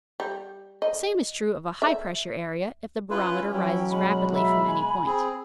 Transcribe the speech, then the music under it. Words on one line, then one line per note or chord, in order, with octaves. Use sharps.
The same is true of a high-pressure area, if the barometer rises rapidly from any point.
G3
D#5
E5
C#4 E4 F4 B4 C6
F#3 E4 G5
B2 G#3 B5
E5 B5
G#5
C4 G#4